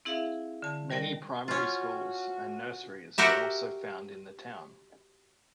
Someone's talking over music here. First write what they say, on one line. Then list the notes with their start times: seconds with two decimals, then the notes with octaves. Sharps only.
Many primary schools and nurseries are also found in the town.
0.05 C4 E4 G#4 E5 F5
0.62 D3 A5
0.90 D#3 G3 A#4 D5 G5
1.48 C#4 F4 F#4
3.18 F#4 G4 A#4 E5